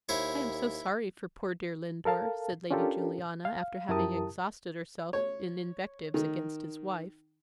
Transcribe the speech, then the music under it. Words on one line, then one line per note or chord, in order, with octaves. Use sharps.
"I am so sorry for poor dear Lindore," said Lady Juliana after having exhausted herself in invectives against his wife.
D#2 E4 C5 C#5
A4 A#4 F5 A5
C#4 D4 F4 G4 A4 A#4
F5
F#2 E4 G4 A#4 A5 D#6
C#5
D#3